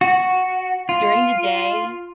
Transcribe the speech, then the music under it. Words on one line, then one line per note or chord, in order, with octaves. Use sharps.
during the day,
F#4
F4